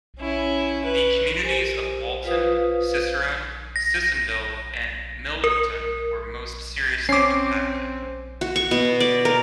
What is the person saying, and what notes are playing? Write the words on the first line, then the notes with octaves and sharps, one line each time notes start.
The communities of Walton, Cicerone, Sissonville, and Millertown were most seriously impacted.
C#4 E4
B4
G4 A#4 C5 G#5
F4 B4 C5 F5 D#6
A#6
A#4
C4 C#4 D6 C7
F#4
C#6
B2
D5
A#4